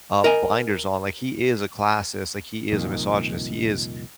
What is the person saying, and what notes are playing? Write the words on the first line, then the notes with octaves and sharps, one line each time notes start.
uh, blinders on, like, he is a classist, like, he is a misogynist, he is,
A#4 D#5 G#5
C2 F2 A#2 D#3